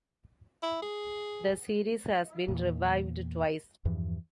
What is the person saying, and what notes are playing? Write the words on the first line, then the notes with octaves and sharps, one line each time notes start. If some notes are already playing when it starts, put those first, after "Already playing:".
The series has been revived twice.
E4
G#4
E2 A#2
E2 G2 E3 F3